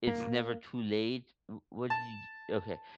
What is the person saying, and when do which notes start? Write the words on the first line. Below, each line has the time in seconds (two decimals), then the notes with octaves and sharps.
"It's never too late?" W what did y okay.
0.07 A#3
1.90 A5